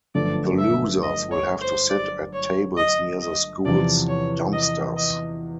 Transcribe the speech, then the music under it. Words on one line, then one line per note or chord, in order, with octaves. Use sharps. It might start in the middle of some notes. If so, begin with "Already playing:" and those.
The losers will have to sit at tables near the school's dumpsters.
G1 F#2 D3 F3 A3 D5
E5
D#5
C#5
C5
D5
C#5
D#5
D#5
E2 C3 F3 D5
C#5
D#5
D#5